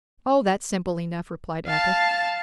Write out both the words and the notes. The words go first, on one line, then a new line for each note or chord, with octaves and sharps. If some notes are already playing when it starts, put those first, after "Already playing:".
"Oh, that's simple enough!" replied Athos.
F5 A5